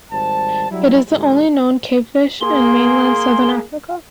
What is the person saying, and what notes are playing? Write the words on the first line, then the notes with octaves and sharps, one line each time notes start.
It is the only known cavefish in mainland Southern Africa.
G#1 G3 C5 A5
F#3 G3 E4
A2 D3 G3 G#3
A#3 G#4 C6